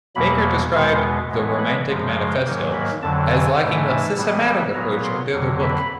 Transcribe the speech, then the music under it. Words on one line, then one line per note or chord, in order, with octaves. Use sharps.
Baker described "The Romantic Manifesto" as lacking the "systematic" approach of the other book.
E2 B2 F#3 A#3 B5
E2 B2 G#3 B3 C6
A2 E3 G#3 B3
B5
F#2 C#3 F3 G#3
C6
G#2 D#3 F#3 A#3
B5
F2 D3 F#3 A5
G#5
G#2 E3 A3
A5
A2 E3 G3 B3
A#2 F#3 B3 A#5
C6
F2 D3 F#3 A#3
B5